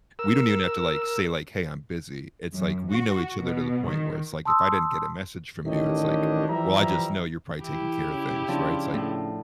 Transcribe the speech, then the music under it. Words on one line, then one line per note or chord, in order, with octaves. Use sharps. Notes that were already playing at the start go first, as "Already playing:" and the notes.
We don't even have to, like, say, like, "Hey, I'm busy." It's ,like, we know each other to the point where it's, like, if I didn't get a message from you, it's, like, well, I just know you're probably taking care of things, right? It's, like,
A#4 E6
F#2
F#4
B2
D#3
A5 C6 D#6 E6
A1 D#3 D4 G4 C#5 D#5
E3 F3 G3 E4 E5 A#5
E3 E4 G4
C#3
C#3 F3 D4
A2